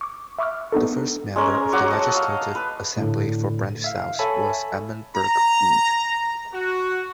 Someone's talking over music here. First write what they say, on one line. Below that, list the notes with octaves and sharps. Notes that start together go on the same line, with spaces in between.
The first Member of the Legislative Assembly for Brant South was Edmund Burke Wood.
C#6 D6
E5 B5 C#6 D6 E6 F6
B3 D4 D#4 A4
G#3 C#4 A#4
F#3 F#5 D6
D#5 A5
F5
B4
A2 D3
E5 F5
A4 C#5 E5 G#5 A5 B5
A#5
F#4